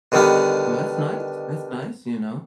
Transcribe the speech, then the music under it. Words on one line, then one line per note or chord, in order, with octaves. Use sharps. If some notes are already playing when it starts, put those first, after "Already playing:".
Well, that's nice that's nice, you know,
B2 D3 D#3 G3 B3